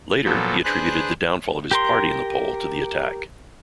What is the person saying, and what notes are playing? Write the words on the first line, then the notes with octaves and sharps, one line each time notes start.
Later, he attributed the downfall of his party in the poll to the attack.
A#2 F3 F#3 B3 A4
D4 G#4 B4 C5 F#6
G4 A#4 C6